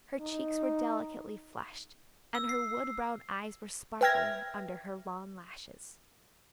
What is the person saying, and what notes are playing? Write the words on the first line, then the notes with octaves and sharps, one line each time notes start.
Her cheeks were delicately flushed, and her wood-brown eyes were sparkling under her long lashes.
D#4
E6
C7
B4 E5 G5 F6 G#6 A#6